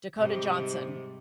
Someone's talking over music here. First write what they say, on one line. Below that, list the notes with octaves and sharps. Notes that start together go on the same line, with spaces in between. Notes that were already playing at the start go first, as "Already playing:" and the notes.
Dakota Johnson.
G#2 C3 G3